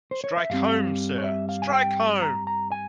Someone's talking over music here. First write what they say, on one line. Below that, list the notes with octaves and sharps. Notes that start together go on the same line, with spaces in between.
Strike home, sir, strike home!
C5
C#5
E5
G2 G3 C4 F5
C#5
E5
F5
G#5
G5
A#5
A#5
G#5